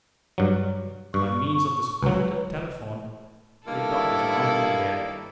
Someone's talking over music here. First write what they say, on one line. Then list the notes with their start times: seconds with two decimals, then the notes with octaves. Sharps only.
By means of this primitive telephone we talked as long as we dared.
0.38 G2 F#3
1.14 G2 C#6
2.03 C#2 F#3 B4
3.67 G2 D#3 A#3 E4 A4